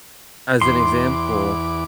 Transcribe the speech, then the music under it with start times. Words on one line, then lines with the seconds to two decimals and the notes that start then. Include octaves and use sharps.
as an example
0.61 E2 C6 D6